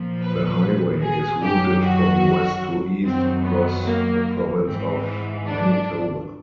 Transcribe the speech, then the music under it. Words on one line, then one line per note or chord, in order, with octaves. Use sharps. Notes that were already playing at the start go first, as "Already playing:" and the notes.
The highway is routed from west to east across the province of Manitoba.
Already playing: A#2 F3
B4
G#4
F#2 D#3 F#3 G4
F#4
F#2 D#3 F#3 C4
B3
A#3
G#2 E3 C4
D4